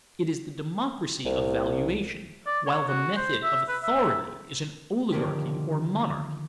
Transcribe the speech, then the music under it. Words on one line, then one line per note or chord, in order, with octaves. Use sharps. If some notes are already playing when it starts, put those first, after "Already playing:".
It is the democracy of valuation, while the method of authority is an oligarchy or monarchy.
C2
D5
C#5
F#4
C5
E5
B4
E5
D3 D#3 F3 A#3 C#4 G4